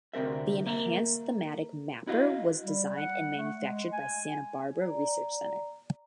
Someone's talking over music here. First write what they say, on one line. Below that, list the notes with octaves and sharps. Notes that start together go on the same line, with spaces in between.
The Enhanced Thematic Mapper was designed and manufactured by Santa Barbara Research Center.
D2 C3 C4 A#4 E5
A#3 E5
E4 F#4 D#5 F5
G3
F#5
A3
G#3
G#5
D5 A#5